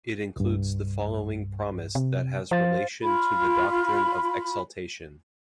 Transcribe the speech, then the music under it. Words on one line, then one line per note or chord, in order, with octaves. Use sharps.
It includes the following promise that has relation to the doctrine of exaltation.
C2 G2
C3
F3 C5 F5 A6
F4 B5